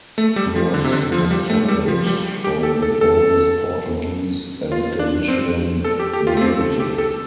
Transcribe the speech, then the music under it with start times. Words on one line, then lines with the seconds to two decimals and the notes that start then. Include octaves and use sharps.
He was descended from the oldest Portuguese and Galician nobility.
0.18 A3
0.36 G3
0.56 F3
0.74 D3
0.84 C3
0.93 D3
1.12 F3
1.31 G3
1.50 A3
1.68 G3
1.88 F3
2.07 G3
2.44 G4
2.63 A4
2.82 A4
3.01 A4
4.72 F4
4.99 D4
5.28 C4
5.85 A4
6.00 G4
6.13 G4
6.27 F4
6.37 A3
6.41 C4
6.61 A4
6.80 G4
6.98 A4